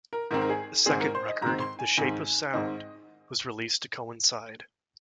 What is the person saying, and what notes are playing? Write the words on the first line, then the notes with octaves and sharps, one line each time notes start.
A second record "The Shape of Sound" was released to coincide.
A#4
G#2 D#3 C4 A#4
A#4
G#4
G#2 D#3 C4 G#4
A#4
C5
D#5
G#2 D#3 C4 A#5
C6
G#5
G#2 D#3 C4 G#5
G#2 D#3 C4 D#5